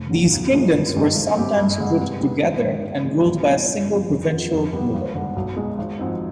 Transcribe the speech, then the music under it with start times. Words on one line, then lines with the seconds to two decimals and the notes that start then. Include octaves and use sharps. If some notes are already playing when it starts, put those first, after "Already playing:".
These kingdoms were sometimes grouped together and ruled by a single, provincial ruler.
Already playing: F1
0.10 D#2 D3
0.32 B1
0.52 B2 G#3 D4 F4
0.74 G2
0.94 D#3 G#3 D4 G4
1.15 G#1
1.36 G#2 G3 C4 G4
1.57 G2
1.78 D3 G#3
1.99 C3
2.21 G3 B3
2.42 G#1
2.62 G#2 D#3
2.83 G#2
3.05 D#3 G#3
3.25 B1
3.46 B2 G3 C4
3.68 G2
3.88 D3 F3 C4
4.10 F2
4.30 D3 F3
4.52 F2
4.73 D3 G3 B3
4.94 G#1
5.15 G2 D3
5.36 B1
5.57 B2 G#3
5.78 G#1
5.99 G#2 F3 C4 D#4